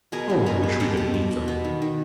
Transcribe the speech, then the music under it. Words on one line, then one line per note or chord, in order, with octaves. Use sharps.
"Oh, I wish we could meet them."
B2 G#4 A#4
B2
G#3 G#4 A#4
B3
B2 G4 A4
B2
B2
B2
B3
D#3
D#3